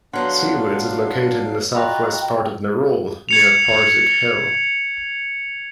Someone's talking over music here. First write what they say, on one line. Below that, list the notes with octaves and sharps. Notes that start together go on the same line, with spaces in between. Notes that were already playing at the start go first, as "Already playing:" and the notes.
Seawoods is located in the south west part of Nerul, near Parsik Hill.
D3 F#3 B3 D4 F5 F#5 C6 F#6
F4 F#4 D#5 G5 A#5 B5
G#6 C#7 F7